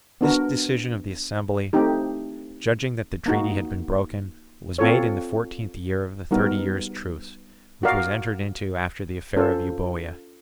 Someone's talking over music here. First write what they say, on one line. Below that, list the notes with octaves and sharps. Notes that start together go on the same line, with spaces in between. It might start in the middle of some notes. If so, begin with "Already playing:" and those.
This decision of the assembly, judging that the treaty had been broken, was made in the fourteenth year of the thirty years' truce, which was entered into after the affair of Euboea.
B3 D4 F#4 A#4
A3 C4 D#4 G4
A#3 D#4 F#4
C4 F4 A4 C#5
G3 B3 D#4 F#4 A#4
F#4 A#4 D5 F5
C#4 F4 A4 C5